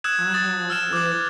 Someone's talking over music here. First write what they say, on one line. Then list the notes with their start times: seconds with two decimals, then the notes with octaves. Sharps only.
I have with
0.04 D#6 E6 F#6 G#6 E7
0.34 D#6 A6
0.70 E6 F6 E7
0.93 D6 G6